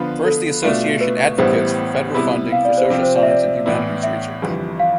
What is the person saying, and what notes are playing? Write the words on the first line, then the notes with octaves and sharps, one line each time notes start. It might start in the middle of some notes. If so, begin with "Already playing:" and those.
First, the association advocates for federal funding for social science and humanities research.
Already playing: D3 F3 B3 F4 B4
A4
B2 A3 D4 F4
B4
A1 A2 G3 B3 E4 C5
C3 G3 B3 E4 B4
F5
D5
C5
C3 F3 C4 F4
C5
D5
E5
D5
A1 A2 E3 B3 E4
E5
G1 F2 E3 G3
F5